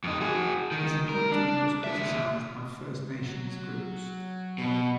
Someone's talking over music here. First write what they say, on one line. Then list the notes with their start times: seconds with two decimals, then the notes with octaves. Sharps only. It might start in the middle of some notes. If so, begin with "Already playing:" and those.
His appointment was criticized by First Nations groups.
0.04 F2 D#4
0.20 F#4 G#4
0.72 D#3
1.09 A#4
1.32 D4
1.84 D#2 E5
3.22 F#3
4.58 B2